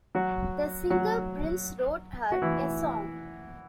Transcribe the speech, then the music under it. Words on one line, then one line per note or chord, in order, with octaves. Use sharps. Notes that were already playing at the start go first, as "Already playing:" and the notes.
The singer Prince wrote her a song.
F#3 F#4
F#3 F#4
F#4
E3 E4